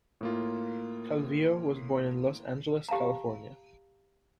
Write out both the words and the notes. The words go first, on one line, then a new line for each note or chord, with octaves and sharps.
Calvillo was born in Los Angeles, California.
A2 A#3 F4
G4 F5 A5 A#5